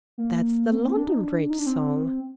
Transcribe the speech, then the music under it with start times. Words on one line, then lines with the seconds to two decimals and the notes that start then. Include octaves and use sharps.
That's the London Bridge song.
0.18 A#3
0.72 C4
0.77 A#3
0.87 C4
0.97 D4
1.07 D#4
1.22 D4
1.50 D#4
1.59 D4
1.66 C4